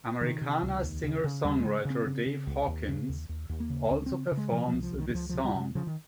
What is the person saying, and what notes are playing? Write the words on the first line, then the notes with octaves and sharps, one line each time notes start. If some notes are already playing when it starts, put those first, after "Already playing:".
Americana Singer Songwriter Dave Hawkins also performs this song.
C3 D#3
C3
C#2
D#2
C#3
C#3
D#2 G3
C#3 G#3
C#3
C4
C#3
C#3
C#2
D#2
C#3
D#2
D#2
D#2
A#3
C#3
C#2 C#4
C#4
C#3 C4
C#3
G#3
C3 F3
F3
C2
F3
C2 D#3
D#3
C#2 F3
C3 F3
G3
C3
G#3
C#3 F3
D#3